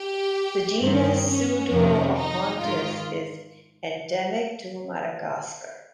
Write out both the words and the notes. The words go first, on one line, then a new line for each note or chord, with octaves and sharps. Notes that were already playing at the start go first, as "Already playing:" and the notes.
The genus "Pseudoacontias" is endemic to Madagascar.
Already playing: G4
G2 D#3 C4
C#4
F2 C3 D#3
D#4
G#2 D#3 F4